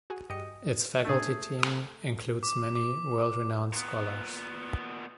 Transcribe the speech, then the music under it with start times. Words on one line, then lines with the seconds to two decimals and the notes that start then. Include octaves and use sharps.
Its faculty team includes many world-renowned scholars.
0.10 F#4 G#4
0.30 G2 G4 D#5 C#7
1.05 A#2 A3 D4 G#4 A#4
1.59 E5 D#6
2.43 D6
2.75 D6
3.73 A#2 B3